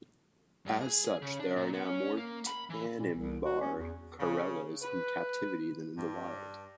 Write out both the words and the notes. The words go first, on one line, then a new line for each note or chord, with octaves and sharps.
As such, there are now more Tanimbar corellas in captivity than in the wild.
G2
G#4
G#4
C#3
D4
A#2
B3
C#4
A#3
B5
E3
A#2
C2
F#4
C#4
E2
C#3
B4
G2